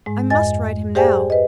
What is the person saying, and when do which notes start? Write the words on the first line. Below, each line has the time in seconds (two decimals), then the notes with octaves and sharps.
I must ride him now.
0.06 G#2 G#3
0.30 F2 D#5 G#5 A6
0.95 G4 G#4 C5 D5 G5 G#5
1.30 B4 D#5